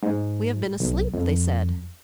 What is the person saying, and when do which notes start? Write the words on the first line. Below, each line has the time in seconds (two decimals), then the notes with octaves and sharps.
"We have been asleep," they said.
0.03 G#2
0.80 B1
1.14 F2